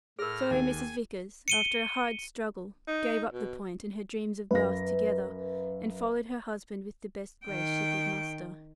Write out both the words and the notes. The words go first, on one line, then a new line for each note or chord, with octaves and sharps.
So Mrs. Vickers, after a hard struggle, gave up the point and her dreams of Bath together, and followed her husband with the best grace she could muster.
A2 G#4 A#4 F6 A#6
D#2 G#5
C#7 D#7 G7
D#4
B2
F#2 B4 F5 A#6
D#3 G5